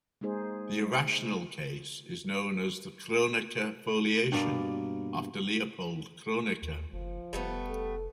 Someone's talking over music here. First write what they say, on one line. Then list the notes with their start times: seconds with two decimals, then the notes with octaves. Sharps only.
The irrational case is known as the Kronecker foliation, after Leopold Kronecker.
0.21 G#3 A#3 D#4 G#4 C5
4.32 G2 B2 A#3 D5
6.62 D#2
6.93 F#1 F3
7.33 F1 G3 A3 B3
7.67 A4